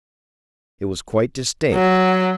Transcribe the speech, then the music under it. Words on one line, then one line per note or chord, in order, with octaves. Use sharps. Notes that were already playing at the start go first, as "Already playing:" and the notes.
It was quite distinct.
F#3